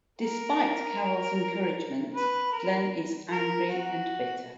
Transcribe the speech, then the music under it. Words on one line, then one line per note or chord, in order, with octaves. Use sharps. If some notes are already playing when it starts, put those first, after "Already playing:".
Despite Carol's encouragement, Glenn is angry and bitter.
A#4
B4
A#4
A#4
F#4